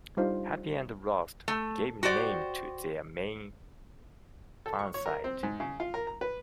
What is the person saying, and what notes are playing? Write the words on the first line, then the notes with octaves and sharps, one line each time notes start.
"Happy and Lost" gave name to their main fansite.
G3 D4 D#4 F4 C5
A3
F#4 G4 C5 D5
A4
C#6
C#5
A#4
C4
G#2
C#3
F4
A#4
A#5
B4